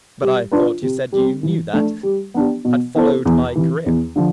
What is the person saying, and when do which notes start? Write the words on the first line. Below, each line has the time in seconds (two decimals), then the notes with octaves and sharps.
"But I thought you said you knew that--had followed my career?"
0.22 G3
0.52 D4 F4 B4
0.82 C3
1.13 G3 C4
1.43 E3
1.73 A3 D4
2.03 G3
2.34 B3 D4 G4
2.65 B2
2.95 B3 E4 A4 C5
3.25 E2
3.56 C3 E3
3.86 E2
4.16 D3 F3